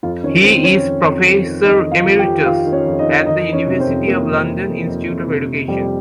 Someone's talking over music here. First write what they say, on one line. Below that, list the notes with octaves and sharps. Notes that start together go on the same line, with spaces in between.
He is Professor Emeritus at the University of London Institute of Education.
F2 F4 F5
D#3 C#4 C#5
D#3 C4 C5
D#3 C#4 C#5
F2
F2
F2
D#3
F2 D#4 D#5
D#3
F4 F5
F2
G4 G5
F2
D#3 F4 F5
D#3
C#4 C#5
F2
D#4 D#5
D#3
F2 D#4 D#5
D#3
C#4 C#5
C3
C4 C5
F2
C3 A#3 A#4
F2
F2
F2
F2
F2
C3
C3
F2 G3 G4